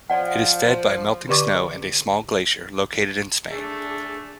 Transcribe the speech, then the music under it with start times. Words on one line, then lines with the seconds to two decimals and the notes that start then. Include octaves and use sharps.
It is fed by a melting snow and a small glacier, located in Spain.
0.10 F3 D5 F#5
1.29 D3 G4 D5 C#6 D6
3.50 A3 D4 G#4